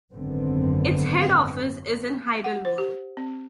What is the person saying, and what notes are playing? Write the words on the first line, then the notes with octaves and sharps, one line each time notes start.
Its head office is in Heidelberg.
G#1 F#2 D3 B3 C4
F#5
C5
G4
C4